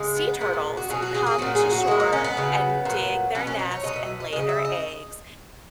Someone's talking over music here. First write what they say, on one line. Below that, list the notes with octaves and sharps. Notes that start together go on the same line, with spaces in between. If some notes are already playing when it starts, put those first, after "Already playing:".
sea turtles come to shore and dig their nest and lay their eggs
Already playing: C#3 G#3
B3
A#2 G#3 B3
B3
F#4
B2 F#3 G#4
F#4
G#4
G#4
A#2 F#3 F#4
G#4
F#4
A#2 G#3 E4
D#4
C#4
B3
C#3 F#3
A#2 F#3
B2 F#3 C#4
C#4
D#4
C#5
B2 F#3 D#5
E5
D#5
C#3 G#3 D#5
E5
D#5